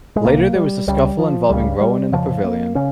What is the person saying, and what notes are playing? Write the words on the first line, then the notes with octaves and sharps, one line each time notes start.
Later there was a scuffle involving Rowan in the pavilion.
G#3
C2 C3 A#3
G3
C#2 C#3 G3
F3
C#2 C#3 G3
G3
F2 C#3 F3
A#3
C#3 C#4